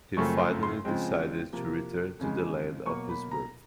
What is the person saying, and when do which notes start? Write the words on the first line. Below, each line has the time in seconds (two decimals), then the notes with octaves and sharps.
He finally decided to return to the land of his birth.
0.17 F#2 C#3 F3 A3 C4 C#6
0.39 C6
0.63 C6
0.85 C#3 F3 G#3 C4
1.52 C3 F3 A#3
2.19 F2 C#3 E3 G#3
2.86 B2 F#3 A#3 C#6
3.09 B5
3.31 A#5